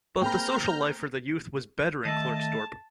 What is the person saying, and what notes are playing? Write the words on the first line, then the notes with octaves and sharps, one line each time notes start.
But the social life for the youth was better in Klerksdorp.
A#3 C4 G#4 G5 A#5 B5 F6 G6
D#3 A3 D#5 A5 A6